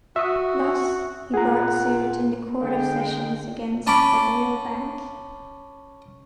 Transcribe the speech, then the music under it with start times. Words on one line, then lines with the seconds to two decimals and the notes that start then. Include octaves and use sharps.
Thus he brought suit in the Court of Sessions against the Royal Bank.
0.16 F#4 E5 D#6
1.34 A#2 G#4 F#5 A#5
2.61 D3 G#3 A#3 G5
3.87 C#4 A5 B5 D6